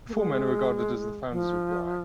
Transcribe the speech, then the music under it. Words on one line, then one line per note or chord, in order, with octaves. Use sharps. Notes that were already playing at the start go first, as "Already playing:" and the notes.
The four men are regarded as the founders of Rye.
A#3
G#3
F3